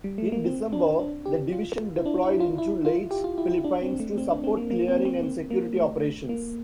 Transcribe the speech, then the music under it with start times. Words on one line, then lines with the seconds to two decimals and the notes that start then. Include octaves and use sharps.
In December, the division deployed into Leyte, Philippines to support clearing and security operations.
0.04 G3
0.18 A3
0.32 A#3
0.46 C4
0.73 D4
0.99 D4
1.26 G4
1.52 F4
1.96 E4
2.06 D4
2.23 E4
2.40 F4
2.58 E4
2.85 F4
3.11 G4
3.24 F4
3.38 E4
3.51 E4
3.64 D4
3.82 C4
4.00 A3
4.18 C4
4.30 D4
4.44 C4
4.57 A#3
4.71 A#3
4.88 C4
5.05 C4
5.23 C4
5.50 A#3
5.76 A3
6.29 A#3